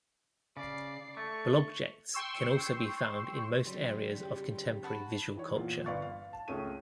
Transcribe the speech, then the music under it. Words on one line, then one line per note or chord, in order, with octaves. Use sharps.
Blobjects can also be found in most areas of contemporary visual culture.
C#3 D5 C7
A3 C#6
G5 C6 C#6 E6
C#3 F#3 G3 C6
G4 G5
F#4 B4 A5
E3 C#5
E2 A#2 F4
G1 B4 D5 F5 C#6 A6
F5
A5
C#2 A3 C#4 G#4 D#7